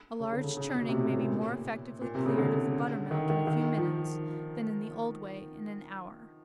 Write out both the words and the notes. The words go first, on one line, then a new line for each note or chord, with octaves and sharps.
A large churning may be more effectually cleared of the butter-milk in a few minutes, than in the old way in an hour.
C#3
D3
C#3
C#3
B2
C3
B2
A2
A#2
A#2
C3
C#3
D3
D#3
D#3
D#3
F3